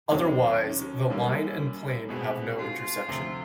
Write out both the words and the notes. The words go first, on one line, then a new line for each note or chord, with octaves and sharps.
Otherwise, the line and plane have no intersection.
D#2 D#3 F#3 C4
C#4
F#2 D#3 G3 A#3
B2 G#3 B3 C4
F4
D2 C3 F3